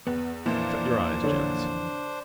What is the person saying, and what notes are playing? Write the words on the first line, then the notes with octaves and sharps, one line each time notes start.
Shut your eyes, gents.
E2 B3
F2 A#2 E3 A#3 D4 C5
D3 C#5